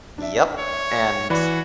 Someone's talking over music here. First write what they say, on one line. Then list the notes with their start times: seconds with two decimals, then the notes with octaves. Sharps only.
Yep, and
0.18 D4 E5
0.59 C#5
1.30 E3 F#4 D5 B5